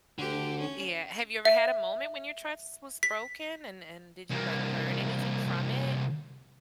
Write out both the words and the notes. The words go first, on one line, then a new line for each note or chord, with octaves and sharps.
Yeah, have you ever had a moment when your trust was broken and and did you like learn anything from it?
D2 D3 G4
C#4
E5
B6
C2 A#3